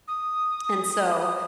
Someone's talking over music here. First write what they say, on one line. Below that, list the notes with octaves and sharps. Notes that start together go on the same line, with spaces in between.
and so
D#6